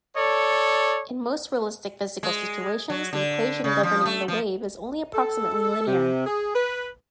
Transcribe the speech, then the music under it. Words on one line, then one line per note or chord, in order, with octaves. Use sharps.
In most realistic physical situations, the equation governing the wave is only approximately linear.
A4 C#5 D5
G#3
F#3
D3
C#3
F3
A3
F3
A4
C3
G#4
B4